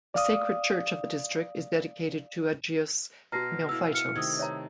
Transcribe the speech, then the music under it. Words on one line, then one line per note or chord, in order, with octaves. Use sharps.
The sacred church of the district is dedicated to Agios Neophytos.
D5 F5 D#6
B2 F#4 A5 A#5 F6 A#6 C7
E4 A4 F5 E6
F6 C#7
C3 D#3 A3 D#6 E6 G#6
C#5 E5 A#5